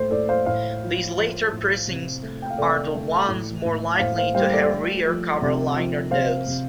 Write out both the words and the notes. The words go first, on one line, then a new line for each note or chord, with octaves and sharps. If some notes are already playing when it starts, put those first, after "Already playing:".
These later pressings are the ones more likely to have rear cover liner notes.
Already playing: A2 A3 C5
A2 A4 D5
C5 F5
A2 C5 F5
F3
F3
A2
C3
A3
G5
F5
C3 A4 D5
A3
A2
A2
A2 C5 F5
C5 F5
G3 C5 F5
A4 D5
A3
F3
C3
F3
C3 C5 F5
C3